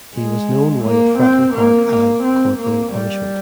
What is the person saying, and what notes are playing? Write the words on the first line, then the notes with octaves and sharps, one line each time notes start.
He was known while at Fratton Park as "Corporal Punishment".
G#3
A#3
C4
A#3
A#3
C4
A#3
G3